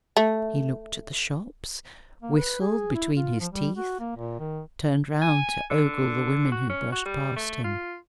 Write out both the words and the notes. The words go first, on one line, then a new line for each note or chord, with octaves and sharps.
He looked at the shops, whistled between his teeth, turned round to ogle the women who brushed past him.
A3
A#3
B4
G#4
E4
F4
F3
G3
F#4
A#3
A#2
D#3
G#5
D3
F#4
C#4
F#4
G3
A3
F4